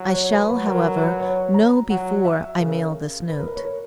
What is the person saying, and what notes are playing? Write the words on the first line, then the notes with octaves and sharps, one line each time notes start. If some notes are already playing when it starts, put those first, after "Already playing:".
I shall, however, know before I mail this note.
Already playing: F#3
C#5
B4
F#3 B4
A#4
B4
B4
C#5
A#5
F#3 F#5
E5
C#3 A#4
B4
A#4
B4
C#5
A#4